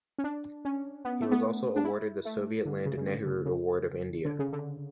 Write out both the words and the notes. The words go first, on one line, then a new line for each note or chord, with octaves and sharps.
He was also awarded the "Soviet Land Nehru Award" of India.
C#4
D4
C#4
B3
A3
B3
D4
E4
A3
D3
C#3
C#3
D3
C#3
C#3
D3
C#3
D3